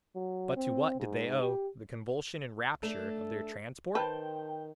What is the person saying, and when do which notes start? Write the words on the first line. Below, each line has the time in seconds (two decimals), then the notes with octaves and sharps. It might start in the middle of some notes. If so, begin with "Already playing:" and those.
But to what did they owe the convulsion and rapture of their transport?
0.15 F#3
0.56 C4
1.00 G#2
1.41 G4
2.83 A3 D4 A4
3.95 D#3 B4 C5 G5 A5